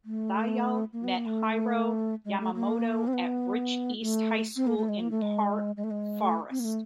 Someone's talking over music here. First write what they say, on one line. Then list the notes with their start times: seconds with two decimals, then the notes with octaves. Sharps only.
Thayil met Hiro Yamamoto at Rich East High School in Park Forest.
0.05 A3
0.93 A#3
1.04 B3
1.15 A#3
1.26 A3
2.25 G#3
2.40 A3
2.54 A#3
3.08 C4
3.13 B3
4.01 A3
4.56 C4
4.67 A#3
4.78 A3
4.89 G#3
5.00 A#3
5.11 A3
5.22 G#3
5.77 G#3
5.84 A3
5.91 G#3
6.21 A3
6.51 C4
6.60 A#3
6.65 A3